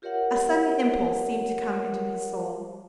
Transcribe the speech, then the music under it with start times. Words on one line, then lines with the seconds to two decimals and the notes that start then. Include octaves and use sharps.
A sudden impulse seemed to come into his soul.
0.02 F4 G4 A#4 C#5 E5 F#5